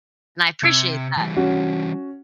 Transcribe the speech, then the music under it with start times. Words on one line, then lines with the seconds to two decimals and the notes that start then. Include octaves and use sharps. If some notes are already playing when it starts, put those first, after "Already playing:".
And I appreciate that.
0.64 C3 E6 G#6 C#7
1.17 E3 G3
1.37 C#4 F#4